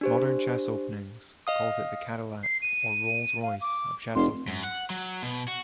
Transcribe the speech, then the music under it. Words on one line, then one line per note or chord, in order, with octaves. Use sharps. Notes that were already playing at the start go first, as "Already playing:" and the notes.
"Modern Chess Openings" calls it the "Cadillac" or "Rolls Royce" of chess openings.
D4 G4 C5
D#5 F5 D#6
C7
D#7
F5
D6
F1 C6
F#2
F#5
F#3
B2
F#4